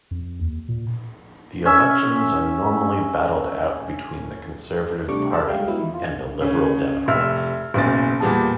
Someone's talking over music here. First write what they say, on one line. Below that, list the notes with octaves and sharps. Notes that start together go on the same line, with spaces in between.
The elections are normally battled out between the Conservative Party and the Liberal Democrats.
F2
D#2
A#2
C#4 E5
C3 G3 A3 D4 C#6 D6
C5 E5 F#5 A5
G3 G#3 F5 G5
F#3 G#3 B3 E4
E2 D#3
F4
C#3 C#4
F1 E5 E6 F6
F#1 B1 C#3 A6
E2 A#2 G3 G#4 A5